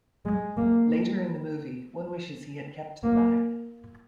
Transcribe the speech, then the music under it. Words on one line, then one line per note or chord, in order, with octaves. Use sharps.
Later in the movie, one wishes he had kept the bag.
G#3
A#3
A#3